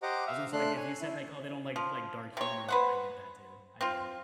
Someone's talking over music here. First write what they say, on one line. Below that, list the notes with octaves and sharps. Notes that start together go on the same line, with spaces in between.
I was gonna say, like, if you said, like, "Oh, they don't like like dark humor," like, I get that too, I get it.
G4 C5 D#5 F#5 A#5 D6
E5 F5
A3 D4 C6 F#6
C#5 G#5
E4
F3
C3 C#5
B4 C5 F#5
C4 F4